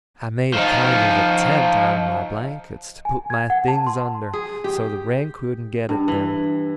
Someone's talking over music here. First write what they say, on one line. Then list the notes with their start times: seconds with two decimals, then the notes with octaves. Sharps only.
I made a kind of a tent out of my blankets to put my things under so the rain couldn't get at them.
0.54 F3 D#4
3.05 G#5
3.30 G#6
3.50 F#5
3.68 A5
3.87 C6
4.33 G#4
4.64 G4
5.89 G2
6.08 E3